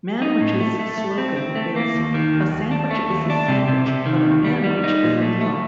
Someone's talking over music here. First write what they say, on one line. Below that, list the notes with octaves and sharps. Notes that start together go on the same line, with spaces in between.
Manwich's slogan is, A sandwich is a sandwich, but a Manwich is a meal.
D#4
A2
A3
A3
A3
C4
C4
A3
A#3
D#2
D#3
D#2
D#2
D4
A3
D#2
D4
C3
C3
C3
D#3
D#2
G3
G3
D#4
A#2
A3
A3